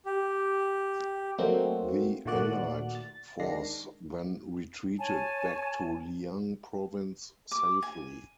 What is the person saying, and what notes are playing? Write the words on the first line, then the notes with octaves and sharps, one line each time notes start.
The allied force then retreated back to Liang Province safely.
G4
F#3 A3 A#3 C4 D#4 F#4
A#2 D#3 A3 F#4 D5 F#6
A6
D#3 G#3 D4 A#6 C7
C#5 G#5 A5
D6
G#5